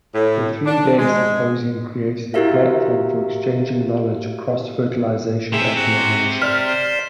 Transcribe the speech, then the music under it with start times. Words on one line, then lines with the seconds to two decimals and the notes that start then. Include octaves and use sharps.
The three-day symposium created a platform for exchanging knowledge, cross fertilization and collaboration.
0.15 A2
0.66 D4
0.98 G#3
2.34 E4 F#4 G4 A#4 E5 F5
5.53 C3 G#4 E5
5.76 F#4
6.42 D5 F6 B6
6.68 C5